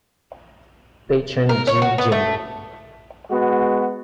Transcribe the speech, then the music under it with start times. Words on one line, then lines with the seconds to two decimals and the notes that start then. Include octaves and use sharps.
Patron, G. J.
1.49 A#4
1.67 C#5
1.82 F#4
1.98 B3
2.12 A3
3.31 G#3 B3 F#4